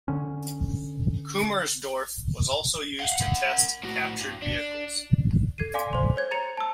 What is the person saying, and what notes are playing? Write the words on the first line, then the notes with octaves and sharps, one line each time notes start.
Kummersdorf was also used to test captured vehicles.
D3 C#4
F5 F#5
A#4 F#5
A2 F#4
G2
D4
A4 G#6 C7 D#7
D5 F5 G#5 C6 D6 B6
C5 C6
C5 C#5 G#6
A#5 A6 C#7 F7
A5 E6